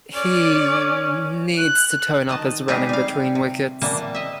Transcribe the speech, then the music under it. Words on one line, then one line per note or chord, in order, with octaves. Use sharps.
He... needs to tone up his running between wickets.
C#4 D5
F#6
D#3 D#5 A5
G3 G#3 C4 D#4 G4 G#4
G3 F5
C3
E3 G3 A#3 F#5 A5
D#5 E5